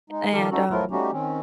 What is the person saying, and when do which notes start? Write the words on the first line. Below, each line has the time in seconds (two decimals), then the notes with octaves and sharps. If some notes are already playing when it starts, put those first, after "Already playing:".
and, um,
0.10 G#3 D#4
0.33 D#3 F3 G4 A4 A#4
0.51 C#4 D#4 F#4 A4
0.71 F3 F#3 A3 E4 F4 A#4
0.91 G3 A3 C#4 D#4 F#4 G4
1.12 D#3 C4 C#4